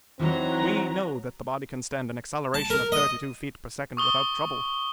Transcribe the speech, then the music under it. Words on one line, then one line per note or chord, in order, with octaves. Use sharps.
We know that the body can stand an acceleration of thirty-two feet per second without trouble.
E3 F#3 C4 D#4 A#5
A5
A#4
D#5
C#6 D#6 G7